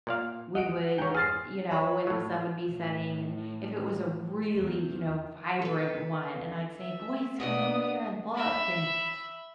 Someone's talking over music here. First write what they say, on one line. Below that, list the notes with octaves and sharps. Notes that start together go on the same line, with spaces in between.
we would, you know, when the sun would be setting and if it was a really, you know, vibrant one and I'd say, "Boys, come over here and look," and
A#2 D5 F5
D#5 F#5 D7
G#2 E3 C#5 G5
G#4 C5 F6 A6 C7
C#5 B5
A2 F#3
A2
E2
A4 B4
E5
B2 B3 D4 D#6
E5 B5